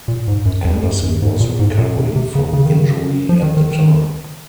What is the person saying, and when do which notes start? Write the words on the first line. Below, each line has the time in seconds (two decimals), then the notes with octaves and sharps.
Anderson was recovering from injury at the time.
0.08 A#2
0.28 G#2
0.45 F#2
0.65 F2
0.83 F#2
1.03 F#2
1.22 G#2
1.40 A#2
1.59 G#2
1.78 A#2
1.98 C3
2.16 C3
2.35 C#3
2.53 C#3
2.65 D#3
2.77 C#3
3.29 F3
3.43 D#3
3.57 D#3
3.71 D#3